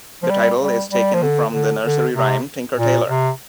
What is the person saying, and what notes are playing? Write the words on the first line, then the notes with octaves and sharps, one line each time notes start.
The title is taken from the nursery rhyme "Tinker, Tailor".
F3
G3
G3
G3
F3
D3
D3
D3
C3
A#2
C3